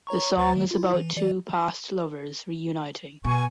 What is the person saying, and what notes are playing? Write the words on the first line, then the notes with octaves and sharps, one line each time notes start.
The song is about two past lovers reuniting.
C#5 A#5 C#6
D2 C5 A6
D#3 A3
E4 F4
E3
E3 D5
B2 G#5 C#6